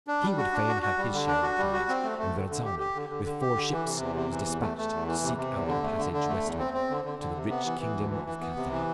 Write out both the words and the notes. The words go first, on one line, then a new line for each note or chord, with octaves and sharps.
He would fain have his share of the prize; and Verrazzano, with four ships, was despatched to seek out a passage westward to the rich kingdom of Cathay.
D4
G3
F#4
D4
F#4
F#4
G3
D3
D4
F#4
G3
F#4
C4
A3
A3
D3
D3
G4
G4
D3
D3
D3
G4
D3
E3
C3
E2
C3
E3
E2
A3
A3
E2
E3
C3
C3
E2
D3
A3
D3
D3
A3
E2
C4
C4
D3
D3
D3
C3
B3
E3
E3
D2
E3
E3
B3
C3
E3